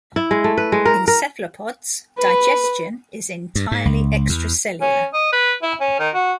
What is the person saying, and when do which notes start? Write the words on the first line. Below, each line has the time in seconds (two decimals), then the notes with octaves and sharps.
In cephalopods, digestion is entirely extracellular.
0.16 E4
0.31 G#3
0.44 A3
0.57 B4
0.72 G#3
0.85 A#4
1.08 A#4
2.19 B4
3.55 G2
3.72 G#2
3.85 C#2
4.29 E2
4.81 C#4
5.14 D#5
5.33 B4
5.63 E4
5.80 C#4
5.99 D#3
6.14 F#4